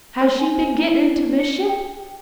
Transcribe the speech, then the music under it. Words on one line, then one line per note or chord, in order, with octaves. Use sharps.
Has she been gettin' into mischief?
C5
G#5
E4
C#7
G5